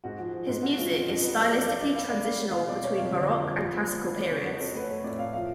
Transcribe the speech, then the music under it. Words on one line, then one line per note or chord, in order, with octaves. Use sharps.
His music is stylistically transitional between Baroque and Classical periods.
G#2 F#4
F3 F#4
F3
G#2
F3 F#4
G#3 F4
F2 F4
F2 F#4
F#3 B4
D4
F#3 D5
F#3 F5
D4 D5
B3 F5
B3 D5
B3 F5
C#4
B2 F5
B2 D5
C#4 C#5
F2 F5
D3
F3
F3
F3
B3
D4
B3
C#4 D5
C#3 C#5
F2 F#4
C#4 A4
A3 B4
A3 C#5
A2 D5
A2 F5
F3 F5